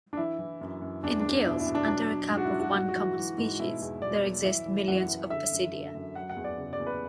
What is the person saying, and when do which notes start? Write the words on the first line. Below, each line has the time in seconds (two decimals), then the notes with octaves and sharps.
In gills under a cap of one common species, there exist millions of basidia.
0.13 D4
0.17 E3 E4
0.39 E3
0.61 F#2
0.81 F#2
1.03 E2 D4
1.20 E2 D4
1.45 B2 E4
1.60 E4
1.67 B2
1.75 D4
1.88 F#3 D4
2.10 F#3
2.31 G#2
2.37 F#4
2.45 E4
2.52 F#3
2.60 F#4
2.73 G#2 F#4
2.89 F#4
2.96 E3
3.17 E3
3.38 G#2
3.59 B2 E4
3.81 E2
4.02 B2 D5
4.24 F#3
4.45 E3 E5
4.66 E3
4.87 F#2 F#5
5.08 E3
5.30 D3 E5
5.52 F#2
5.72 D3
5.95 F#2
6.15 F#3 F#5
6.30 F#5
6.36 E2
6.44 D5
6.58 C#3
6.73 D5
6.80 E2
6.87 B4